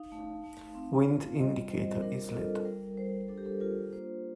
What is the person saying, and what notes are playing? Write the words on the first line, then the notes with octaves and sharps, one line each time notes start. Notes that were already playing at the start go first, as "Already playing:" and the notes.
Wind indicator is lit.
Already playing: D#4 F5
A3
A3
C4
F4
G3 D#5
G3 C5
D4 A#4
A#4
F4 A4
A4
G3 A#4
G3 C5
D4 A4
G4
A4
F4 A#4
A#3 C5